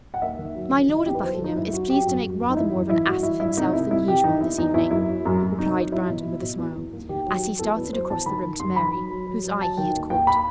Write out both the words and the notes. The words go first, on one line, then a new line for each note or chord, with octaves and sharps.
"My Lord of Buckingham is pleased to make rather more of an ass of himself than usual this evening," replied Brandon with a smile, as he started across the room to Mary, whose eye he had caught.
F#5
D#2 E5
D#3
F#3
D#3
D#3 D#5
E4
E2 G4
B4
F#3 C5
A4
D#3 D#4
F#2 E4
E4
F#3 F#4
F#3 G4
F#2 F#4
F#2
F#2
D#4
E3 E4
F#2
E3 E4
G2 F#4
E3 E4
G2 E4
C2 D#4
C2 E4
C2 E4
C2 G4
E3 D#4
E2 E4
E2 D#4
E2 E4
F#2 E4
F#3
F#2
F#2
C2 D#4
F#3
F#3 E4
B2
B2
B2
E2
E2
D#2
D#3 G4
F#3
F#3
E2 A4
E2 B4
F#3 C5
E2 A5
D#3 B5
D#3
F#2 C6
D#3 B5
F#3
F#3
F#3
F#3
F#3 A5
D#3 G5
D#2
D#2 G5
B5